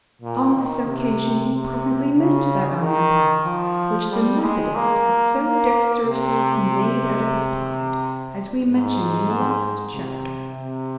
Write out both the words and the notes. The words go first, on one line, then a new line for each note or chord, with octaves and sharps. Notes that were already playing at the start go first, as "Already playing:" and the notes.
On this occasion he presently missed that iron box which the methodist had so dexterously conveyed out of his pocket, as we mentioned in the last chapter.
A#2
D#3
C3
C3
C#3
D#3
F3
G3
G#3
A#3
A#3
C3
G#2
C3
C3